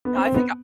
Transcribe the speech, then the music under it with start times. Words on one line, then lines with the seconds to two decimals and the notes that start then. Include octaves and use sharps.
Yeah, I think I
0.05 B3
0.15 C4
0.26 C4
0.34 B3